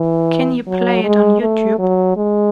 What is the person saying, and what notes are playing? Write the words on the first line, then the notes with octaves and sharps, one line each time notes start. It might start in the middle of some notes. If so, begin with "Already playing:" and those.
Can you play it on Youtube?
Already playing: E3
F#3
G#3
A3
F#3
G#3